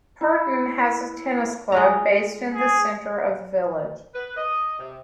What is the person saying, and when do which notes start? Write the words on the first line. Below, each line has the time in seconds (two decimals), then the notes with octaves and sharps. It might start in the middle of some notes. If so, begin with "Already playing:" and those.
Purton has a tennis club, based in the centre of the village.
0.21 E4
1.72 G#3 F4 A#5
2.54 G#4
4.14 B4
4.37 D#5
4.79 C3